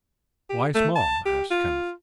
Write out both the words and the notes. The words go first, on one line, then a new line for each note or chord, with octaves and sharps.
"Why small?" asked Kenneth.
G4
A3
A5
G4
F4